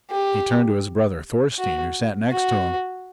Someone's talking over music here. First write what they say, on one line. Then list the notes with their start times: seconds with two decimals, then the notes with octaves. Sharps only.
He turned to his brother Thorstein who sat next to him.
0.10 G4
1.58 F#4
2.32 F#4